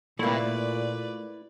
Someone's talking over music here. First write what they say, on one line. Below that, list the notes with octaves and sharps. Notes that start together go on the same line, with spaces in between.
That or,
A#2 A3 A#3 E4 B4 D5